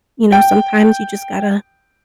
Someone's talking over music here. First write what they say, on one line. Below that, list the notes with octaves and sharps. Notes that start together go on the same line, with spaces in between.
you know, sometimes you just gotta
G5